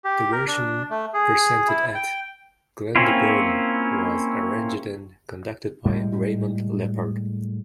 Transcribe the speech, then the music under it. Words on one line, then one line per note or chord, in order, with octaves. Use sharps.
The version presented at Glyndebourne was arranged and conducted by Raymond Leppard.
G4
A#4
D4
A3
G#4
E4
G5
A#3 C4 C#4 E4 F4
A2 G3 G#3